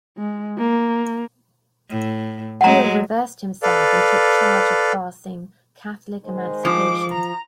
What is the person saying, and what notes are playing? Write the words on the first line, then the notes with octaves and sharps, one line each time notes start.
Peel reversed himself and took charge of passing Catholic Emancipation.
G#3
A#3
A2
F#3 G#3 A3 F#5 A#5
A4 B4 D5 F5
D#3 G#3 C5
F3 D6
A#5